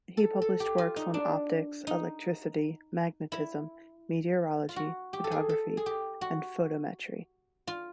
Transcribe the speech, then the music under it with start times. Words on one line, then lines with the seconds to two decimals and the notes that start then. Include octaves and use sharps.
He published works on optics, electricity, magnetism, meteorology, photography and photometry.
0.17 A4
0.42 A4
0.60 G4
0.78 F4
0.96 D#4
1.14 D4
1.87 D#4
3.32 E4
4.69 F4
4.76 F#4
5.13 G4
5.24 A4
5.31 G#4
5.49 A4
5.77 G#4
5.86 G4
6.21 F#4
7.67 F4